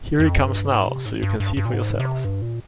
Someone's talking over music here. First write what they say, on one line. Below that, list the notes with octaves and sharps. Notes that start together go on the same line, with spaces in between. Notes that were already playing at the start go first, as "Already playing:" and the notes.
Here he comes now, so you can see for yourself.
F2
G2
G#2
C3
G#2
G2
G2
G2
A#2
G#2
C3
G2
A#2